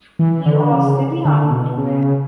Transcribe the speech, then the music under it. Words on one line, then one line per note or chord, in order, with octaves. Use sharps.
You are still young.
E3
D3
C#3
D3
B2
C#3